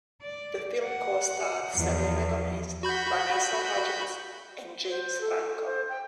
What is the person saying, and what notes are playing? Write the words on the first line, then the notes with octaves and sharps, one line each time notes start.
The film co-starred Selena Gomez, Vanessa Hudgens, and James Franco.
D5
F#5
E2 F3
F#4 B5 G6
C5
A4
C5
G5